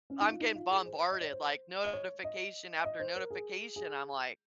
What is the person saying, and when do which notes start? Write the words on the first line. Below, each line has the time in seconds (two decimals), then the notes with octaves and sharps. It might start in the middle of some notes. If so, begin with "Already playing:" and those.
I'm getting bombarded, like, notification after notification, I'm like
0.10 C#4
0.20 D#4
0.29 F4
0.40 D#4
0.55 F4
0.70 G#4
0.86 C5
1.11 D#5
1.21 C#5
1.32 C5
1.85 D#5
1.93 C#5
2.24 D#5
2.85 D#5
3.00 C5
3.15 A#4
3.30 G#4
3.76 G#4